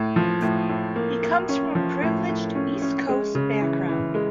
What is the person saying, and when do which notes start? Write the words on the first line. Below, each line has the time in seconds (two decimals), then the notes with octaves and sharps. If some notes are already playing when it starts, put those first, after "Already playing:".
He comes from a privileged East Coast background.
Already playing: A2
0.16 F3
0.42 A2
0.69 A2
0.96 A#3
1.23 A#3
1.49 C#4
1.75 F3
2.02 A2
2.29 A2
2.55 C#4
2.82 C#4
3.09 G#3
3.35 C#3
3.61 E3
3.88 E3
4.15 G#3